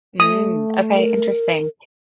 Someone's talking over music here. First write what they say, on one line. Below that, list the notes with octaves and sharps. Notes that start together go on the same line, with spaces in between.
Mm. Okay, interesting.
A3 D#6
A#4